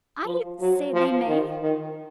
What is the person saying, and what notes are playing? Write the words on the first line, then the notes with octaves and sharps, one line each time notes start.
I say they may.
F3
F#3
F3
D#3
D#3